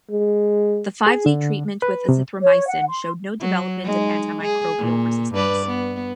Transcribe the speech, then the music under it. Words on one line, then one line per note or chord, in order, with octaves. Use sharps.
The five-day treatment with azithromycin showed no development of antimicrobial resistance.
G#3
G#4
D3
B4
C3
C#5
F#5
C6
F#3
G#3 D#4
G#4
A#2
G2 B4 D5
B3